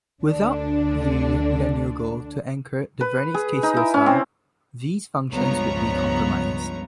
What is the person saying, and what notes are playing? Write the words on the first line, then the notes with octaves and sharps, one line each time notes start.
Without the lanugo to anchor the vernix caseosa, these functions would be compromised.
D2 D3 D4
B4
G#4
D#4
E4
C#4
C4
C#2 G2 F3 B3 C#5 A#5